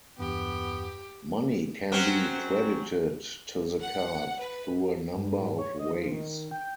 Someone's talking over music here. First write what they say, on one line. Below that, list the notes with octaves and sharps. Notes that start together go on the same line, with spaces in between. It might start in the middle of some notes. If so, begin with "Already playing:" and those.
Money can be credited to the card through a number of ways.
E2 G2 B3 G4
F#3 C4 C#4
F#5
B4
G2
G#2
C#5
D#5
F3
D#3
G5